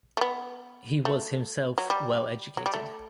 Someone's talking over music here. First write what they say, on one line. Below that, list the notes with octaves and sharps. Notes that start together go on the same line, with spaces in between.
He was himself well-educated.
A3
B3
A3
F#3
G3
F#3
G3
A3